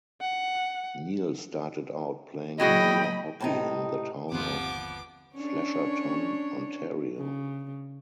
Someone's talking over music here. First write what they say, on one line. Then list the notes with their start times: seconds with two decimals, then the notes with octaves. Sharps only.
Neil started out playing minor hockey in the town of Flesherton, Ontario.
0.21 F#5
2.60 A#2 F#3 E4 F#4 G#4 D#5 G5 B5
3.40 A2 C3 D#4
4.32 G1 D#2 C3 F3 B3 D6
5.35 C#4 D4 C#5
7.18 C#3